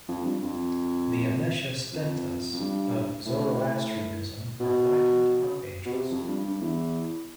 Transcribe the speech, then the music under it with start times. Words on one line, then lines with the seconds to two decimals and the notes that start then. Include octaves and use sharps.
The Amesha Spentas of Zoroastrianism are likened to archangels.
0.08 F2
0.25 G2
0.42 F2
1.93 F2
2.53 F2
2.60 G2
3.26 A2
4.60 B2
5.85 B2
5.94 C3
6.11 F2
6.28 G2
6.44 G2
6.61 E2